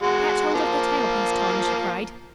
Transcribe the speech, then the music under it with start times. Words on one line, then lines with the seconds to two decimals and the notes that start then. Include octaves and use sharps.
"Catch hold of the tail piece, Tom," she cried.
0.03 G#3 F#4
0.54 F3 A#3